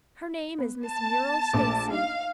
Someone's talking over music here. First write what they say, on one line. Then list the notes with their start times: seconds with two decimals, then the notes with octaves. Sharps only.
Her name is Miss Muriel Stacy.
0.59 B3
0.88 A5
1.53 A#1 A3 D6
1.91 D#4 F5